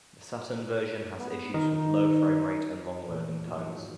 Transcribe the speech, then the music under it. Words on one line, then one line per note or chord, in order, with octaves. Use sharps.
The Saturn version has issues with low frame rate and long loading times.
B3
D#3 D#4
E2 A#2 A3
G#1 G2 D#3 F3 F#3